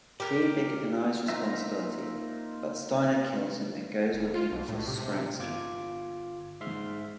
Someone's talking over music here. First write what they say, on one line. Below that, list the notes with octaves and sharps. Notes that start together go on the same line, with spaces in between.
Triebig denies responsibility, but Steiner kills him and goes looking for Stransky.
G4 A#4
A#3 C4 D#4 F4 E5
D#1
F4
B1
A2
C3
G1 F4 D6 G#6
G#2 E5 C6 F6